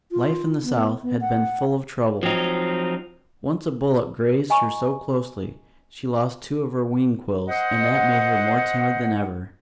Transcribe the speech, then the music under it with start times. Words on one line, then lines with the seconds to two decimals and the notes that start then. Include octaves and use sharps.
Life in the South had been full of trouble. Once a bullet grazed her so closely she lost two of her wing quills, and that made her more timid than ever.
0.12 F4
0.64 B3
1.02 B3
1.21 F#5
2.23 F3 F#3 C4 D#4
4.50 D#5 G#5 A#5 C#6
7.48 C5 D#5 F#5